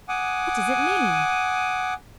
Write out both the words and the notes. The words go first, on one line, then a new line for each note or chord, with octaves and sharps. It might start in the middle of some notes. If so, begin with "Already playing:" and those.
"What does it mean?"
F#5 G#5 D6 D#6